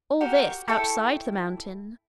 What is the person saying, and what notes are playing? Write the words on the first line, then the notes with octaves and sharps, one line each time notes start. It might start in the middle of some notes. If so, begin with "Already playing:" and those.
All this outside the mountain!
F#4 G4 A#4
E4 A4 G5 C#6